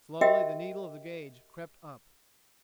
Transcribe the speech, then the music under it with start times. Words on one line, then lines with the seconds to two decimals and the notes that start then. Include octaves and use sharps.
Slowly the needle of the gauge crept up.
0.21 F#4 G4 A#4 D#5 E5 G5